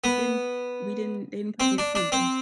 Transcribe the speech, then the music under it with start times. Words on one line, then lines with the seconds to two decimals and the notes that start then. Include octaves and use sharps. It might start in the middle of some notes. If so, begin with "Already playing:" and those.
didn't we didn't they didn't put me in swimming.
0.04 B3
1.60 C4
1.78 D4
1.95 D4
2.12 C4